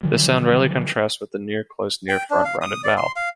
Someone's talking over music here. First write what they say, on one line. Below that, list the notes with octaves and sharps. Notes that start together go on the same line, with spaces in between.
This sound rarely contrasts with the near-close near-front rounded vowel.
D3 D#3 F3 F#3
G5
D4
F5
D#6
D5
C6
F5